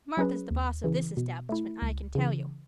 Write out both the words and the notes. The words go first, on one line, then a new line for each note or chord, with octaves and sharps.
Martha's the boss of this establishment I can tell you.
F#3 C#4 G#4 B4
D#2
C#3 E3
B2
A3 E4
C#2
C#3 E3